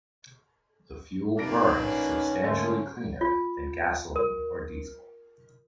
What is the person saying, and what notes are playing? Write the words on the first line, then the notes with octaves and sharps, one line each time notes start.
The fuel burns substantially cleaner than gasoline or diesel.
C3 A#3 D4 D#4 F4 B4 A#6 D7
A#1 C#4
G#2 D3 A3 A#3
F4
A#4